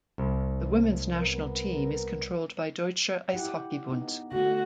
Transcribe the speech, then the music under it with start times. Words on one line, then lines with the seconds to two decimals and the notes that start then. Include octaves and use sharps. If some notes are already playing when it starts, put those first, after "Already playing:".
The women's national team is controlled by Deutscher Eishockey-Bund.
0.18 C2
1.16 B3 A#4
3.33 E4 G4 F#5
3.89 B3 D#4
4.32 D3 A3 F#4